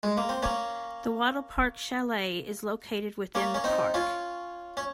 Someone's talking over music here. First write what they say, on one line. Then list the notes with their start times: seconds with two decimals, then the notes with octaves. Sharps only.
The Wattle Park Chalet is located within the park.
0.03 G#3
0.17 A#3
0.29 C4
0.42 A#3 C#4
3.35 A#3 C#4
3.54 C#4
3.64 C4 D#4
3.94 C#4 F4
4.77 C#4